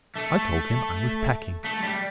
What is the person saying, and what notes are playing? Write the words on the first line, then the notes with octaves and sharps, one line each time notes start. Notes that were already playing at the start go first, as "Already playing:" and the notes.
I told him I was packing.
A3
A3
G3